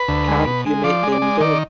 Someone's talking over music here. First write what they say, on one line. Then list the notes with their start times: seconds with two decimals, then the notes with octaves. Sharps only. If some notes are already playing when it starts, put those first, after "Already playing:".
Can't you make them do?
Already playing: B4
0.08 D2
0.28 G#3
0.47 B2
0.66 G#3
0.84 F3 D5
1.03 G#3
1.12 D5
1.22 G#3
1.40 D#3 D5